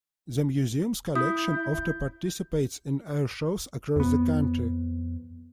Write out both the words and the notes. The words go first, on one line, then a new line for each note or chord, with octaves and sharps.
The museum's collection often participates in airshows across the country.
E4 D#6 G6
F2 B3